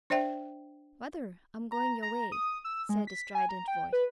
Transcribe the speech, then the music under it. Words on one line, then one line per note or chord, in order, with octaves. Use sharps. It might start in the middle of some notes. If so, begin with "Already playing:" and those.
"Mother, I'm going your way," said a strident voice.
D4 C5 D5 E5 G5
A#5
A#5
D#6
E6
G#3
B6
G#5
A#5
G5
B4